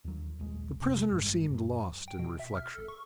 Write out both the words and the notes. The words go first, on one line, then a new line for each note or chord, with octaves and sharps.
The prisoner seemed lost in reflection.
D#2 F#3
D#1 A#1 G#3
F2 C3
G#1 G2 G#3
F#2 F#3
G5
B2
E5
F6
A4
C#6